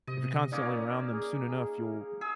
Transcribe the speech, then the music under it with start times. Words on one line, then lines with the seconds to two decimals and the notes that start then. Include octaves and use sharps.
if you're constantly around them, soon enough you'll
0.07 C3 D#5
0.52 A#3 C#4 D#4 D5
1.12 G#4
2.21 G#4 E6